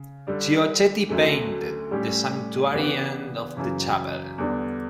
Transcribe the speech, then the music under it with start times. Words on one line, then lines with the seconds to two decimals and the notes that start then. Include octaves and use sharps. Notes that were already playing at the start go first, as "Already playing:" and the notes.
Chiocchetti painted the sanctuary end of the chapel.
Already playing: C#3
0.27 D3 G3 D4
1.09 D2 D3 F#3 A3 C#4
1.91 A2 G3 C#4 G4
2.73 C#3 E3 B3 D4 G4
3.57 F#2 C#3 E3
4.38 E2 D3 G3 D4